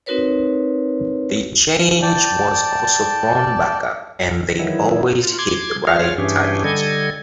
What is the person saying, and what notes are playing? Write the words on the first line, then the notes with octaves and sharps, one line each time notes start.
The change was also thrown back up and they always hit the right target.
C4 D#4 F#4 A#4 B4 C#5
D5 G5 A5
D#3 E3 F#3 E4
F4
C6 D6 G#6
F4 G#4 C#5 F5 F6
G2 E3 C#4 D4 G4 G#4
D3 G3 A4 D#5 G#6